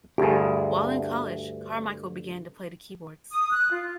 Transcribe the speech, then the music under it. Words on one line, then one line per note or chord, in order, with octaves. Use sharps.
While in college, Carmichael began to play the keyboards.
D2 G2 G4 G#4
D#6
F#6
F4